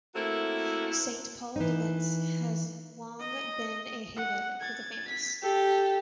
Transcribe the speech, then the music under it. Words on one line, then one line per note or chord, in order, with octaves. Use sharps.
Saint-Paul-de-Vence has long been a haven of the famous.
A3 A#3 C4 E4 F#4 A4
E3 D#4
D#5
F#5
G#6 A6
B6
G4 A4